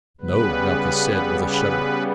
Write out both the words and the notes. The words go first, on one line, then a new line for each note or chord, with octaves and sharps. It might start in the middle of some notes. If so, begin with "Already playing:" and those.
"No," Malchus said with a shudder.
C#3 G3 B3 B4
B4